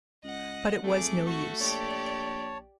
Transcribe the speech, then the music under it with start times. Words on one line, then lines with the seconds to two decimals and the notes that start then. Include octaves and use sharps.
But it was no use.
0.24 C#2 D#5 F#5
0.84 F2 A3 G#4 D6
1.26 F#4 C#6
1.60 A#1 G4 C#5 D5 A5